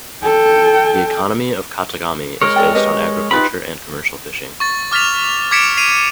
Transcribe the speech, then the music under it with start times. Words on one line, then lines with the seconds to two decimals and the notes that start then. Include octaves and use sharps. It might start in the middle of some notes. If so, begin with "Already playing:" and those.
The economy of Katagami is based on agriculture and commercial fishing.
0.24 A4 G5
2.42 G#3 A#4 C#5
2.56 A4 D5 G5
2.75 G4 B4 D#5
3.31 D#4 F4 G4 B4 C5 B5
4.60 C#6 A6
4.92 D6 F6 A6 B6 F7
5.51 D6 G#6 B6 C#7 D7 E7
5.77 C7 D7 D#7 F7